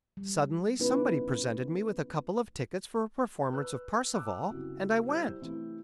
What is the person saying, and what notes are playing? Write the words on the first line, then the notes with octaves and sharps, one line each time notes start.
Suddenly somebody presented me with a couple of tickets for a performance of 'Parsifal,' and I went.
G3
B3 C#4 D#4 E4 B4
B4 E6 F#6
D6 E6 F#6
F#1 C2 E4 F#4
G3 E4 C5 E6 G6
C3 E3 A3 E4